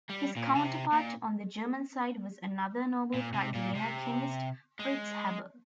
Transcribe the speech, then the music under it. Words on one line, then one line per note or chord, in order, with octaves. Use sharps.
His counterpart on the German side was another Nobel Prize-winning chemist, Fritz Haber.
G3
A#2
C#3
C3
A#2
A#2
C3
A#2
C3
G#3